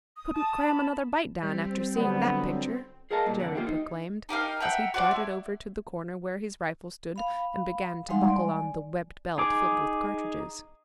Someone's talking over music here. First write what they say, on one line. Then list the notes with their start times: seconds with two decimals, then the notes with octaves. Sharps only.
"Couldn't cram another bite down, after seeing that picture!" Jerry proclaimed, as he darted over to the corner where his rifle stood, and began to buckle on the webbed belt filled with cartridges.
0.17 D#6
0.35 A5 D#6
0.59 B5
1.43 G3 C4
1.95 D3 F#3 B3
3.11 G#4 A#4 D#5 F5 A5 A#5
3.26 G2 A#2
3.40 F2 D3 D5 F#5
3.55 A#3 F4 G4 E5
3.67 D#4
4.29 D#4 G4 A#4 F5
4.60 E5 F#5 G5 A#5
4.94 F#4 C5 D5 F#5
5.11 E4
7.16 F5 B5
8.09 G3 G#3 D#4 F5 F#5 C6
8.29 D5 G#5
9.38 D#4 G#4 D6